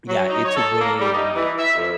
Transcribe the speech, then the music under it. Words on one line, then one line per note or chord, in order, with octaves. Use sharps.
Yeah, it's way like
F#3
D#4
C#5
A4
A#3
G3
D#4
E3
E5
F2